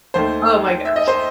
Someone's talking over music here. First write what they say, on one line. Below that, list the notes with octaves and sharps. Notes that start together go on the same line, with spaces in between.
Oh my gosh.
D#2 D#3 A3 C5
E5
D#5
C5